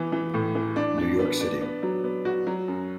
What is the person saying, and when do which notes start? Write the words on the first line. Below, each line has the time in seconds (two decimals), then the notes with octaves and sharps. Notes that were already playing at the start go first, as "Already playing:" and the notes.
New York City.
Already playing: E3 B3
0.12 E3
0.34 A2
0.55 E3
0.76 D4
0.98 D4
1.19 B3
1.40 D4
1.61 B3
1.83 F#3
2.04 B3
2.25 F#4
2.47 F#3
2.68 F#2